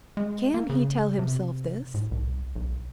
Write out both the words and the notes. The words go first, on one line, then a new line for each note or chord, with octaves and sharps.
Can he tell himself this?
G#3
A#3
C#3
C3
A2
C2
B1